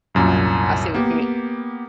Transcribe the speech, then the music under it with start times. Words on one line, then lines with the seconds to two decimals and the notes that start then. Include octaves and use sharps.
I see what you mean
0.15 C2 F#2 A#2
0.94 A#3 B3 G4